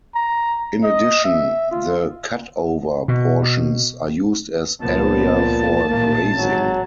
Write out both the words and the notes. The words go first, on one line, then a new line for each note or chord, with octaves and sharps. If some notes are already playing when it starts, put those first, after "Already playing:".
In addition, the cutover portions are used as area for grazing.
A#5
D#5
E5
F4
B2
C#2 A#2 F3 B3 A5
A1 A#2 A3 A#3
G#1 F#3